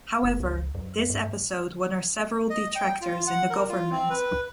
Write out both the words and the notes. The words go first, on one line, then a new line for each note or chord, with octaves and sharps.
However, this episode won her several detractors in the government.
F#1
C#2
F#2
G2
D#5
G5
F4
F#5
A#4
F4
C4
B4